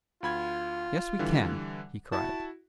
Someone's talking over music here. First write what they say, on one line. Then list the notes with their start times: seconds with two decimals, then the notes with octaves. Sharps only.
"Yes, we can!" he cried.
0.23 D2 F4 B5 G#6
1.19 D3 E3 G3
2.12 E4 F#4 A5